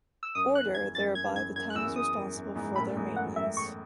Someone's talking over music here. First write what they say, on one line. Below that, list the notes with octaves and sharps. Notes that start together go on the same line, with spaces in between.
Order, thereby the town is responsible for their maintenance.
E6
F#2 D#6
F#6
E2
G#6
F#2 A6
G#6
F#2
E2 G#6
F#2 G#6
F#6
E2 E6
F#2
D#6
F#2
F#2
E2 G#2
F#2 A2 B5
A2
E2 G#2
F#2 F#5
E5
C#6